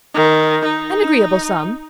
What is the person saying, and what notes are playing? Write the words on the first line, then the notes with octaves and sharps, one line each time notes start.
"An agreeable sum."
D#3
D#4